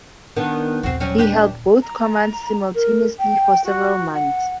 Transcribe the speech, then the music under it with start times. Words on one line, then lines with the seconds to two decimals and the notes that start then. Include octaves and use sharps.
He held both commands simultaneously for several months.
0.36 D#3 B3 D4
0.83 D#1 C4 F#4
1.00 F#3 G3 C#4
1.18 D4 G4 B4
1.83 A#5
2.75 A#4
3.19 G5
3.64 F#4
4.13 F#5